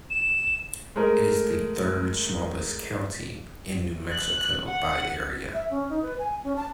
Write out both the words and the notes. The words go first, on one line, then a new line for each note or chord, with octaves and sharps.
It is the third-smallest county in New Mexico by area.
E7
G#3 A3 A#4
F#6
F#5
E5
C#4
D#4
B4
G#5
C#4
A5